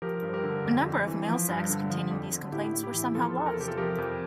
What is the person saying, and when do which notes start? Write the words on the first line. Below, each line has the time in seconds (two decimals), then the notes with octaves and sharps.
A number of mail sacks containing these complaints were somehow lost.
0.02 F3 G4 A#4
0.22 G2
0.29 C5
0.33 G4 A#4
0.44 D3
0.65 F2
0.86 F2
1.07 E3
1.28 F3
1.48 G2
1.69 D3
1.90 F3
2.11 F2
2.32 D3
2.52 A2 E4 G4
2.74 A2
2.83 E4 G4
2.94 E3
3.15 F3 F4 A4
3.36 E2
3.46 A#4
3.54 A4
3.57 C3 G4
3.68 F4 A4
3.77 F3 G4 A#4
3.98 F2